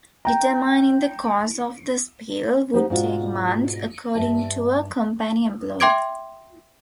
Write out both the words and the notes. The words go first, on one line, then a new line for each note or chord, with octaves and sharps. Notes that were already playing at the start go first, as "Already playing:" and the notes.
Determining the cause of the spill would take months, according to a company employee.
G5 A#5
B3 D#4 G4 G#4 C5
G#2 B2 D4 F4 F#4
G2 E5 A5
E5 G5 C6 D6 G#6 D7